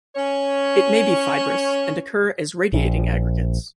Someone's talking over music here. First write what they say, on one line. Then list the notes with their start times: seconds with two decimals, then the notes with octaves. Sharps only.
It may be fibrous and occur as radiating aggregates.
0.16 C#4 C#5
2.73 A#1